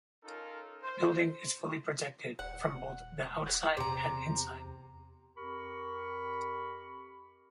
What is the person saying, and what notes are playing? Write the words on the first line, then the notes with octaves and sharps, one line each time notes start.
The building is fully protected from both the outside and inside.
C#4 D#4 F4 A4 A#4
C5
D#1 F#5
E2 C3 A#5
F2 G4 A#4 B5 C#6